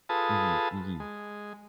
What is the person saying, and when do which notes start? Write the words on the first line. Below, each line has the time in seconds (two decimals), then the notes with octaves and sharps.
Mhm, mhm.
0.09 F4 G#4 A4 B4 A5 D#6
1.00 G#3